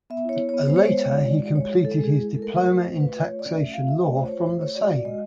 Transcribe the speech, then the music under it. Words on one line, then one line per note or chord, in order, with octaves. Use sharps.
Later he completed his diploma in taxation law from the same.
B3 E5
E4 C#5
B3
B3 C#5
G#3 C5
C#5
B3 C5
G#3 C#5
E4
G#3 D5
G#3
G#3 C#5
E4
G#3 A4
G#3
G#4
E4
G#3
A4
A3 A#4
A3
A3 C5
A3
A3 B4
F4
C#5
A3
C#4 D5
A3 E5
F4 F5
C#4 E5
A3 D5
F4 C5
C#5
F4 C5
A3 C5
A3 C#5
F#4 D5
F#4
G#3 D#5